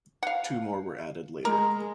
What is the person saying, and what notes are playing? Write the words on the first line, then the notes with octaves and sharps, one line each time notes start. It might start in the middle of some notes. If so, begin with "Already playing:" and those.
Two more were added later.
F5 F#5
G#3 A#4